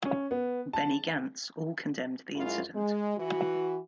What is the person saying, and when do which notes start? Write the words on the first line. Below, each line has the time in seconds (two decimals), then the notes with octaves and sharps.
Benny Gantz all condemned the incident.
0.05 C#4
0.31 B3
0.73 A5
2.35 F#2 G#3 E4 F4
2.75 G#3
3.18 E3 F#4